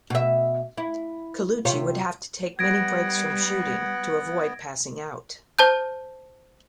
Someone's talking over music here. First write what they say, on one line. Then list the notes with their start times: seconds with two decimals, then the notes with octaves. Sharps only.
Colucci would have to take many breaks from shooting to avoid passing out.
0.10 B2 E5
0.77 E4
1.65 C3 F4 C#5
2.59 G3 B3 F#5 G#6 A#6 D7
5.59 C5 A5 G6